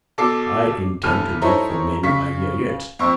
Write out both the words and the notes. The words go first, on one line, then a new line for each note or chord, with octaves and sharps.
"I intend to live for many a year yet."
B2 A4 D6 C7
F1 E2 A4 F6 D#7
D#4 E4 A4 A#4 C5 C#5
C#3 C#6 B6
F2 C4 C#6 E6